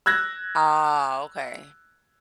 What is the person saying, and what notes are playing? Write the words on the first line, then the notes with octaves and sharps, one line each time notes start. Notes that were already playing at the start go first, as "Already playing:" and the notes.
Ah, okay.
E6 F#6 G#6 A#6